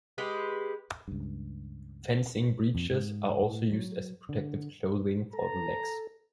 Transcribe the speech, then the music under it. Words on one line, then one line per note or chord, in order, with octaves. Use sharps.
Fencing breeches are also used as a protective clothing for the legs.
G#3 G4 B4
C#2 G2
F2
G#2
A2
F#3
D3
A4 A#5